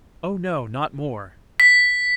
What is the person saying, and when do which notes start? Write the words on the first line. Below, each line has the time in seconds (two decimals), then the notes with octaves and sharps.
"Oh, no, not more!"
1.60 B6